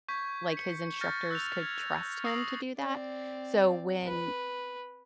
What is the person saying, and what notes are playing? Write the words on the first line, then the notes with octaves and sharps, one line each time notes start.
like, his instructors could trust him to do that, so when
C#6 G6 G#6 B6
C#7
F6 G6 A6 A#6
E6 F#6 G6 F7
G#6
C#6 D#6 E6 A#6 C7 F#7
C4 D5
B4